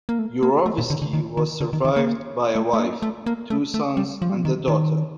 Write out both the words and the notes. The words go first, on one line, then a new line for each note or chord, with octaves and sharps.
Yurovsky was survived by a wife, two sons, and a daughter.
A#3
A3
A#3
A3
A#2
D3
D3
D#3
D#3
D3
D#3
D#3
A#3
A3
A3
A#3
A3
A#3
A3
A3
G3
F3
G3
F3
D#3
D#3